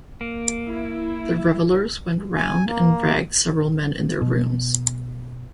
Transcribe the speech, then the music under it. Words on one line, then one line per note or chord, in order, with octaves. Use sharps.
The revellers went round and ragged several men in their rooms.
A#3
E4
G#5
A#3
B2